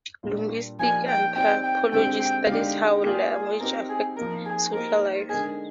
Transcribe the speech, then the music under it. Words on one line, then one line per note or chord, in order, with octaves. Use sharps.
Linguistic anthropology studies how language affects social life.
A#2 G3 D4 F4
F3 A#3 D#4 G4 D5 G#5
G5
C4 D#4 G4 D5 G5
G5
D3 G#3 C4 G4 G5
G5
D3 G#3 D#4 G4 D5 F5
A#3 F4 G4 G#4 D5
G#4
C4 D#4 G4 A#4
G#4
F3 A#3 D#4 A#4
G#4
A#3 D#4 G4 A#4 C5 D#5
D3 G#3 D#4 G#4 A#4 D#5